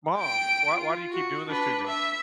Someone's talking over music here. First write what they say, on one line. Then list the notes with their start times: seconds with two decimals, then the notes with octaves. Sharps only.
"Mom, why why do you keep doing this to me?"
0.17 G5 D7
0.74 F4
1.11 F#4
1.49 D4 B4
1.87 E5